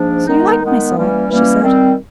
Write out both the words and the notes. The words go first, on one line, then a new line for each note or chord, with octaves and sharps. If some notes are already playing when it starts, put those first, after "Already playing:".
"So you liked my song?" she said.
Already playing: G#2 F3 A#3 D4
D#3 G#3 B3 D#4
D#3 G#3 B3 D#4
E3 G3 A#3 C#4
E3 G3 A#3 C#4
D#3 G3 C4